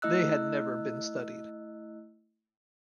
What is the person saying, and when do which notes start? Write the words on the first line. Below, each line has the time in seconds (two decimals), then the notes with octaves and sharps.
They had never been studied.
0.02 A3 E4 D#5 E6 F#6